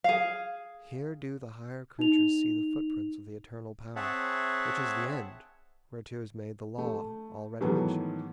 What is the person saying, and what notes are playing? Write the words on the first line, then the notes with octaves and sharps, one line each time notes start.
Here do the higher creatures see the footprints Of the Eternal Power, which is the end Whereto is made the law already mentioned.
G#4 F5
D#4 F7
C4 G#4 C#5 E5 F#5 A5
A3
G#2 D#3 E3 F#3 A3 B3